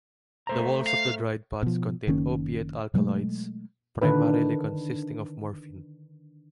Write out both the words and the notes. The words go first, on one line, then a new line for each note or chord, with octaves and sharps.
The walls of the dried pods contain opiate alkaloids, primarily consisting of morphine.
A3 C5 A#5
F5
B2 F3
F#1 D#3 A#3 C#4
B2 F#3 G#3 A3
D3 D#3 D4 B4